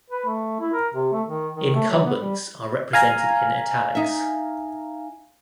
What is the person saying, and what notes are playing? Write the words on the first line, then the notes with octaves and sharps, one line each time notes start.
Incumbents are represented in "italics".
B4
A3
E4
A#4
C3
A3
D#3
D#3
A3
F#3
B3
G3
F5 G#5 A#5
D#4 E5